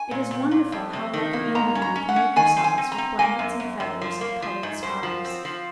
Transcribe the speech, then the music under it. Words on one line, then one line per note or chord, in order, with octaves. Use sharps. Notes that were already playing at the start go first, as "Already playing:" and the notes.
It is wonderful how like an Indian you can make yourselves with blankets and feathers and coloured scarves.
Already playing: G#5
A#2
A#2
A#2
F2
C3
D#3
A#3
G#2 A#5
C#4
A#5
C#4
F#5
C#4
D#3 G#5
C4
G#5
C4
A#5
C4
A#3 G#5
F#2
F#2
F#2
F3
A#3
F3
G#2
F#2 C5
F3
C4
F3